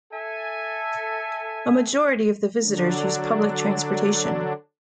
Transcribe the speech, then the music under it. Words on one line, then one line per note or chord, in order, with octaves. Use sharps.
A majority of the visitors use public transportation.
A4 E5 G#5
D3 F#3 D4